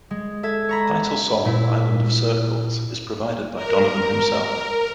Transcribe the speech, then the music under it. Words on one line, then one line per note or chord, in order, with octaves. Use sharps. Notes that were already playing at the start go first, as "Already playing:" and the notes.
The title song "Island of Circles" is provided by Donovan himself.
G#3
A4 E5 G#6
C#5 A#5 B5
A#2 E4
A#4